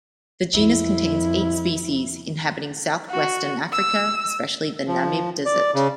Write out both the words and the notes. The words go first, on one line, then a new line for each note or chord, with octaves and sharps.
The genus contains eight species, inhabiting southwestern Africa, especially the Namib Desert.
F2 E4
F#4
E6
F3
D5
C#3